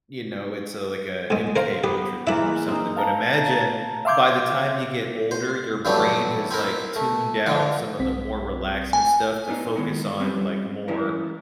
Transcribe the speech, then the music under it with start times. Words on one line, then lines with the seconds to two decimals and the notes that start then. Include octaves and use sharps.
you know, it's a like, a MK Ultra thing or something, but imagine by the time you get older, your brain has, like, tuned out some of the more relaxing stuff to focus on, like, more,
1.30 G#2 G#3
1.56 A#4 C5 F5
1.84 B3 G4
2.27 E3 G#3 A#3 E5 B5
2.68 C4 D#4
2.96 F5 A5 A#5
4.05 E5 F5 C6 D6 G6 G#6
5.31 C5
5.85 G2 E3 F#3 G3 A3 C4
6.51 C4 E4 A#4
6.96 A3
7.46 D3 F3
7.99 B1 C4 B6
8.93 G#5
9.48 B3 D4 D#4
9.76 D#3 G#3 B3 D#4
10.20 G3 C4 C#4 B4 C5
10.88 G#2 E3 C#4 E4 A#4